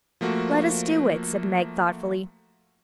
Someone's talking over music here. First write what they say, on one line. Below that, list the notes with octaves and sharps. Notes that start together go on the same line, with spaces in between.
"Let us do it," said Meg thoughtfully.
F3 A3 A#3 F#4